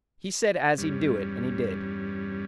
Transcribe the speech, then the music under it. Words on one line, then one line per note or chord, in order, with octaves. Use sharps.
He said as he'd do it, and he did.
E2 G2 G3 C#4